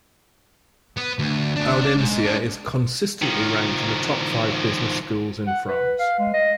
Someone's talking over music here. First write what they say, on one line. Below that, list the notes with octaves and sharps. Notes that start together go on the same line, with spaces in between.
Audencia is consistently ranked in the top five business schools in France.
B3
D2
B3 D4
D4 D5
G#2
G#3 D4
D#3 F3
F#5
B4
F5
G#3
D#5